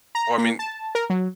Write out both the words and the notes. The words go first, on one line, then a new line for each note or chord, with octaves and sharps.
well I mean,
A#5
A#3
A5
A#4
F#3